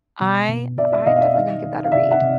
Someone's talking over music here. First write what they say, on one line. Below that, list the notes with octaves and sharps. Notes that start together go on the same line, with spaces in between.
I I'm definitely gonna give that a read.
B2
B2
B2 D5 E5
D5 E5
B2 D#5 F5
F5
D5 E5
D#3 D#5 F5
D#3
F5
C3 D5 E5
E5 F#5
C3